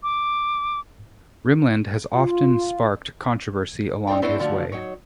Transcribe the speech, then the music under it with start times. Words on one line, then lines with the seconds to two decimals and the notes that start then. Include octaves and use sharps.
Rimland has often sparked controversy along his way.
0.03 D6
2.16 F4
4.07 C4 D#4 C5 D5 G5
4.22 B3 C4 D4 E4 C5 C#5
4.39 D3 F3 A3 F4 F#4
4.72 F#3 D#4 C#5